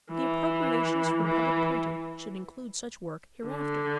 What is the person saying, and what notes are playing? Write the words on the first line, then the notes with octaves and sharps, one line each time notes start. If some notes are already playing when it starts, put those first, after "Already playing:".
The appropriations for public printing should include such work hereafter.
E3
E3
D3